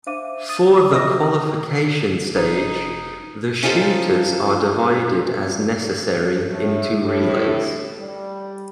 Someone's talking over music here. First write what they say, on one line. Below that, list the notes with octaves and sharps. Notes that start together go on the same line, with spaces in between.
For the qualification stage, the shooters are divided as necessary into relays.
D4 C5 E5 F5 D6 D#7
D#6 A6 D#7
D#5 E5 C#6 D#6 A#6
F1 D#4
C#4 D#4 F4 G4 A4 C5
A2
A2
G3